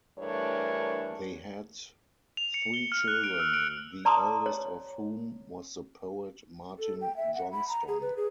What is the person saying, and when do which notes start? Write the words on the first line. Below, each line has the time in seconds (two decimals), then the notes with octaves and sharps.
They had three children, the eldest of whom was the poet Martin Johnston.
0.19 G2 E3 A3 D4 A#4 C#5
2.37 F7
2.54 C#7
2.74 G7
2.92 F6
3.08 F#6
3.24 D7
3.40 E6
3.54 D7
4.05 D5 A5 A#5 C6 D6 D#6
4.46 C#5
6.79 A4
7.01 G5
7.17 E5
7.34 F#5
7.52 B5
7.68 A#5
7.88 G#4
8.02 B4
8.17 G#4